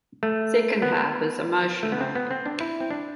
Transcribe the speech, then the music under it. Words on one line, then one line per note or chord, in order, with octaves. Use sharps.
Second half is emotional.
A3
B3
A3
B3
C4
B3
C4
D4
E4
C4
D4